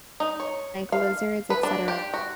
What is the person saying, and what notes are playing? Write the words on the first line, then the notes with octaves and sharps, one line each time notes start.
like, lizards, et cetera.
D#4
C#5
F5
B4
D4
G4
F#4